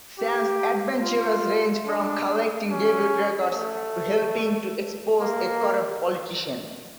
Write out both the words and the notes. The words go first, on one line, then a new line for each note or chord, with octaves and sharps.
Sam's adventures range from collecting debut records to helping to expose a corrupt politician.
G4
F4
D4
C#4
A3
A#3